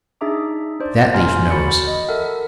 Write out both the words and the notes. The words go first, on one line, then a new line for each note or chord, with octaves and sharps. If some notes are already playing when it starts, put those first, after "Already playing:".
That leaf knows.
D4 D#4 G#4 E5 A#5 D6
D4 C5 D5
G#5 A#5 C6 F6 G6
F#4 B5 A6 C#7
D#5
A4 A#4 E5 F#5